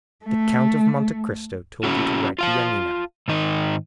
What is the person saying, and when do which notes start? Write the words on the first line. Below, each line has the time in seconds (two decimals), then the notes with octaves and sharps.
"The Count of Monte Cristo told you to write to Yanina?"
0.25 A3
1.84 C#4 E4 F#4
2.39 F4 F5 A5
3.28 G#2 D#3 D#4